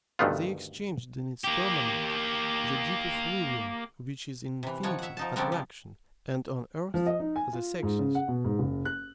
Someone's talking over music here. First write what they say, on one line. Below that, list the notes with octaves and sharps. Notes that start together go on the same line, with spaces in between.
They exchanged in its firmament the deep effluvium which is in infinity attraction, and on earth the sexes.
D2 G2 D#3 A3 B3 F4
A#3 G4
C3 E3
D#3 F3 F#4 C#5
E5 F#5
F3 D#4 A5
C#3 F3 G3 C4 F#4 A#4
F3
F3
D#5
D#4
G#5
F4
G#2
C#3
F#5
B2
G#2
F#1
F#6